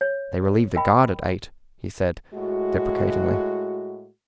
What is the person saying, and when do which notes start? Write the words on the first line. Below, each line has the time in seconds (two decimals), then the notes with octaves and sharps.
"They relieve the guard at eight," he said deprecatingly.
0.01 C#5
0.75 A#4 D#5 G5 B5
2.33 A2 G#3 F#4